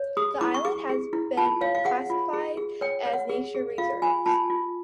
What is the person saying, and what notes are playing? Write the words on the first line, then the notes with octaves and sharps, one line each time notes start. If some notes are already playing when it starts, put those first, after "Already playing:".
The islands have been classified as nature reserves.
Already playing: C#5
G#4 D#6
E4 D6
C#6
G#4 D6
G#4
E4
F4 A5
C#5 F5
F5
G#4 F#5
F4
G#4
G#4
C#5 G5
C#5
F#5
G#4
G#4
F4 F5
F4 G#5
F4 A5
F4